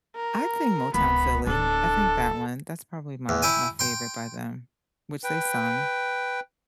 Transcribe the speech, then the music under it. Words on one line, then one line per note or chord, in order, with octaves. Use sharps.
I think Motown Philly. I think that one. That's probably my my favorite by them, which they sung.
A#4
D1 C#2 B3 B5
D1 D4 A4
E2
E4 G5 G#5
G5 C6
B4 G5